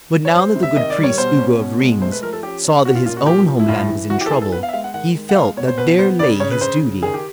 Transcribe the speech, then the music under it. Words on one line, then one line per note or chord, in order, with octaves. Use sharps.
But now that the good priest Ugo of Rheims saw that his own home land was in trouble, he felt that there lay his duty.
C#5
G3 C5
C3
E5
D#3 D#5
D5
G3
C#5
B2 C5
C#4
B2
G#3
A3 C5
B4
F3 A#4
A4
C#4 G4
C#4
C#4 F#4
F4
A#2 F4
F#4
F3 G4
F3
E4
A2 F4
E3
E3 F#4
G4
A4
E3 G#4
A4
B3 B4
F5
E5
G#3 F5
F#5
D#3 F#5
G#3
F#5
G#3 F5
B2 C#5
C5
B2 B4
B3 C5
C#3 D5
C#3 C#5
B4
C#3 C5
C#3
D#3 G#4
G4